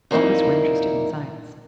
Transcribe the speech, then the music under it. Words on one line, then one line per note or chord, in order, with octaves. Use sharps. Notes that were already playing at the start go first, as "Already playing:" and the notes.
All of us were interested in science.
F2 A#2 A#3 D#4 E4